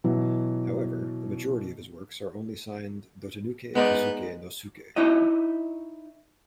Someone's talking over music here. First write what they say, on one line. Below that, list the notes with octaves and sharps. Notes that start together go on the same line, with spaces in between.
However, the majority of his works are only signed "Dotanuki Kozuke no Suke".
B2 E3 F#3
G#3 B3 D#4 D5
D#4 E4 C#5 D#5